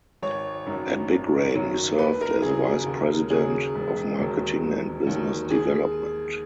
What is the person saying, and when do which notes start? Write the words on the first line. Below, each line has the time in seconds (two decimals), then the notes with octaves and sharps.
At Big Rain, he served as Vice President of Marketing and Business Development.
0.23 G#1 C#5
0.66 F#2 D#3 F#3
1.10 G#1
1.55 F#2 D#3 F#3
1.98 D#2 B4
2.21 A#4
2.42 C#3 G#4
2.46 F#3
2.64 G#4
2.86 D#2
3.30 C#3 F#3 G#4
3.75 E1
4.19 D#2 D#3 F#3
4.63 E1
5.07 D#2 D#3 F#3
5.50 D#2 G#4